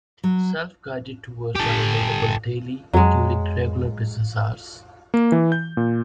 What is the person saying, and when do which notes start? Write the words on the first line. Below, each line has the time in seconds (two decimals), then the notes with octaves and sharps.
Self-guided tours are available daily during regular business hours.
0.24 F#3
1.56 G4 A4
2.94 F2 F#3 G#3
5.14 A#3
5.32 E3
5.52 G6
5.77 A#2